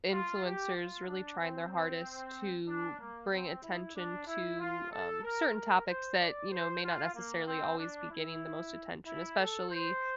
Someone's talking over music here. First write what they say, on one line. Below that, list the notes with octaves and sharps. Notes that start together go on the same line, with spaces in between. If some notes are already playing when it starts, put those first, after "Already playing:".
influencers really trying their hardest to bring attention to, um, certain topics that, you know, may not necessarily always be getting the most attention, especially,
F4
G4
F4
D4
C4
C4
D4
A#3
C4
E4
D4
E4
F4
A4
A#4
A#4
C5
D5
C5
F4
A#3
C4
D4
E4
E4
A4
C5